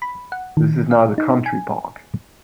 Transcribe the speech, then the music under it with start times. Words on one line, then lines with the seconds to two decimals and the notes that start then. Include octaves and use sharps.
This is now the Country Park.
0.02 B5
0.32 F#5
0.57 D#3
0.91 F5
1.18 D#4
1.46 G#5